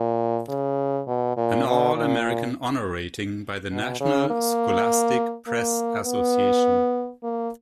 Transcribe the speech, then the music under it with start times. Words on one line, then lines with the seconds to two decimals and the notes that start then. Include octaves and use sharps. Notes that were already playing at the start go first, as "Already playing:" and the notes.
An All-American honor rating by the National Scholastic Press Association.
Already playing: A#2
0.49 C#3
1.07 B2
1.37 A#2
1.67 B2
1.96 A#2
3.71 B2
4.01 C#3
4.30 A#3
5.48 A#3
6.06 B3
7.23 A#3